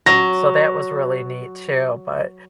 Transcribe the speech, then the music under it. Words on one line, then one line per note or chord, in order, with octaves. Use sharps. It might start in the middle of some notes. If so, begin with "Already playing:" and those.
So that was really neat, too, but,
F#3 A#6